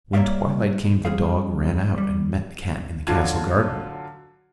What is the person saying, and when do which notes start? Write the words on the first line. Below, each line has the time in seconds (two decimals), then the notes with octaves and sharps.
When twilight came, the dog ran out and met the cat in the castle garden.
0.13 G3 A#3 C#5 D5 E5 F5
1.05 F3 G3 G#4 F5
1.98 G3
3.07 D3 F#3 F4 A5 G#6